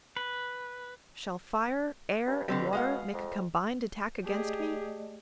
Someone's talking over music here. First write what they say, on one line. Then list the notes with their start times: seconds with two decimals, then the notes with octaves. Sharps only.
Shall fire, air, and water make a combined attack against me?
0.17 B4
2.27 G2
2.48 B2 D3 C4 G4
2.73 G#3 F5 F#5
3.14 F2
4.24 A3 G4 G#4 D5 D#5